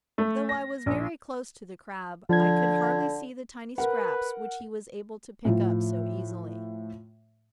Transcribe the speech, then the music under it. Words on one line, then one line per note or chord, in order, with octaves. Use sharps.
Though I was very close to the Crab, I could hardly see the tiny scraps which he was able to pick up so easily.
A3
A#6
A#1
D3 F3 G#6
A#4 B4 F#5
A2 F3